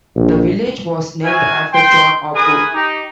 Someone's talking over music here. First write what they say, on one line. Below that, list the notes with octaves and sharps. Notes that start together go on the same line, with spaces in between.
The village was named after John Hopwood.
A#1
E4 F#4 F5 G#5
G5 C6
A3 G#4 A#4 B4 G#5 D#6
D#4 G4